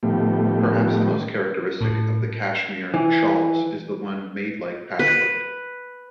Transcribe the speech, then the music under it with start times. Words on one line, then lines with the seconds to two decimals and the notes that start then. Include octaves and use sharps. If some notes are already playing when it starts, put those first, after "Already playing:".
Perhaps the most characteristic of the Kashmir shawls is the one made like patchwork.
0.03 A2 D#3 F3 A3 B3 G4
1.81 A2
2.94 E3
4.99 B4